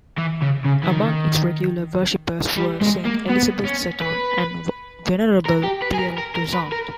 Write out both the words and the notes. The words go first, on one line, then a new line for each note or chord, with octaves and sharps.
Among its regular worshippers were Saint Elizabeth Seton and Venerable Pierre Toussaint.
E3
C#3
C#3
E3
D#3
G3
G#3
A#3
B3
C#4
B4
A#4
G4
B4
G#4
A#4
A#4
A#4
B4
A#4